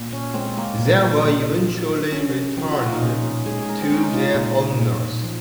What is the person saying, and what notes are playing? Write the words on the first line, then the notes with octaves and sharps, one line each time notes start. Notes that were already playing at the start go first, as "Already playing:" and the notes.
They were eventually returned to their owners.
Already playing: A#2
C#4
G#3 C4
A#3
A#2
A#2
F3
C#4
F3 C4
F#4
F4
D#4
A#2 C#4
G#3 G#4
A#4
C4
G#3 C#4
D#4
F4
A#2
A#2
F3